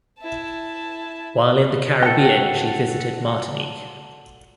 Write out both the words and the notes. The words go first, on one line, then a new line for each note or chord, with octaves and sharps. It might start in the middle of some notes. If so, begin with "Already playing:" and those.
While in the Caribbean, she visited Martinique.
E4 A5
F#4 A4 G5